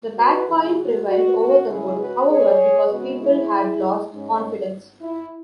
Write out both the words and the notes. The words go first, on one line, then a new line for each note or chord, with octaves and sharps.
The bad coin prevailed over the good, however, because people had lost confidence.
F#4 B4
F#2 C#3 E3 E4 G#4
F#4
F#4
F#4
C#3 G#3 C#4 E4 G#4
F#4 B4
G#4 C#5
E2 C#3 G#3 B3 F#4 B4
E4 G#4
G#2 G#3 C#4
E4